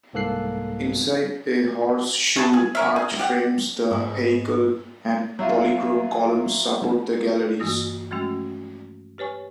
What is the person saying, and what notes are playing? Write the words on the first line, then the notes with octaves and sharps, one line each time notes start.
Inside, a horseshoe arch frames the heichal and polychrome columns support the galleries.
C2 G#2 A#3 A4 F#6 C7
A3 G#4 B4 A5
G#4
C#4 A#4 E5
G#4
G4 F#5
G#2 B4
F#3 E4 F4
G2 E3 A#3 F#4 D#6 A#6
F3 G#3 A3 C#4 F#4
G4 B4 C#5 G#5 C#6